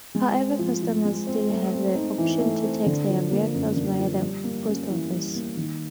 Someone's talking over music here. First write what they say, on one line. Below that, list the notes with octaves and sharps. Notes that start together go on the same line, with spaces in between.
However, customers still have the option to tax their vehicles via the Post Office.
G#3
C4
F3
F3
G#3
C4
A3
C4
D#4
E3
A3
C4
D3
F3
A#3
F#2
D3
F3
G3
A#3
C#4
E3
G3
A#3
D#3